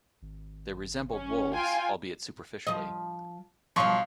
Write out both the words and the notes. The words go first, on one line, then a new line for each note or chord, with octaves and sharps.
They resembled wolves, albeit superficially.
G#1
C#4
F4 G5 G#5
F3 D#5
B1 F3 C#5 F5 C6 C#6